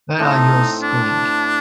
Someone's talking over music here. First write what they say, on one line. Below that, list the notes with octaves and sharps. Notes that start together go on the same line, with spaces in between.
Where are yous going?
A2 A3 C4 D#4
D4